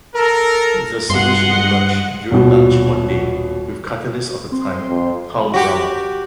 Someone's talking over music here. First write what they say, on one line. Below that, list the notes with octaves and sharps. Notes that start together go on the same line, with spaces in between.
The solution emerged during lunch one day with cartoonist of the time, Tom Browne.
A4 A#4
G2 G#3 D#5 F#5 C6
D#1 B2
C4 C6
F2
F#4 G4